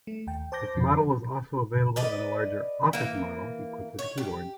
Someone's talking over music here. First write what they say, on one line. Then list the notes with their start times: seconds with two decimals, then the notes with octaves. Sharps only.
This model was also available in a larger "office" model equipped with a keyboard.
0.07 A3
0.27 D#2 G5
0.52 C5 A5 D6 G6 A#6
0.75 F2 F3
1.96 B4 D5 D#5
2.93 E3 A#3
3.99 C#5
4.18 G4